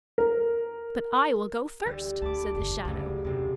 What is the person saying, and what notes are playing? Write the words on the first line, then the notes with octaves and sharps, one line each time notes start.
"But I will go first!" said the shadow.
A#4
D2 G3
D2 A5 B5 D6
F#1 E2
F#1 D2 G3 E4
F#1 D#2 C3 C4